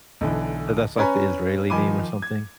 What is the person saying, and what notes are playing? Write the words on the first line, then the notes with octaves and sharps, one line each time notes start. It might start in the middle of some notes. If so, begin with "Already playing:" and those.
but, that's, like, the Israeli name or something?
B1 D3 E3
C#4 B4 C#5 G#5 A#5 B5
D#3 F3 G#5 B5 D6 D#7
G#6